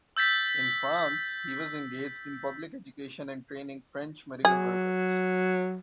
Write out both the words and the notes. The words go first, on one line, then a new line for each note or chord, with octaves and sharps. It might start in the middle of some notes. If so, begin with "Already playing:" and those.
In France he was engaged in public education and training French medical workers.
E6 G6 A6 B6
F#3 G#4